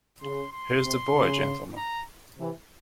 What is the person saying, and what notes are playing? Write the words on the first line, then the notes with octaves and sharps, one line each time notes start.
Here's the boy, gentlemen!
C#3 C6
C6
C3
C#3
A#5
C3 E3